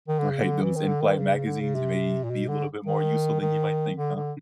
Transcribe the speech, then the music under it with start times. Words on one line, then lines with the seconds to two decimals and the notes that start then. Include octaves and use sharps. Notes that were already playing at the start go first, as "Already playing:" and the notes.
Right. Those in-flight magazines may be a little bit more useful than you might think, huh?
0.08 D#3
0.19 D3
0.30 C#3
0.41 D3
0.63 E3
0.76 D#3
0.88 D3
1.01 D#3
1.19 C#3
1.47 D3
1.61 C#3
1.75 C3
2.24 A#2
2.30 B2
2.49 D3
2.86 D#3
3.41 D#3
3.97 D3
4.16 D3